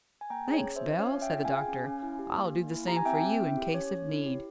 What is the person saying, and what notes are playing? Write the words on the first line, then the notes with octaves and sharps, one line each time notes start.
"Thanks, Bell," said the doctor; "I'll do the same for you in case of need."
G#5
A#3 G5 A#5
G#4
C#5
C#4
C5 E5
F4
C#4 C#5 F5
C#4
E5 G5
F4
G5
F5 G#5
G#4
C#4
C#4
E4
G4
A#3
A#3
E4
G4 A#5
G#5
C4 E5 G5
C4
E4
G4
C#4 C#5
C#4
E4
G4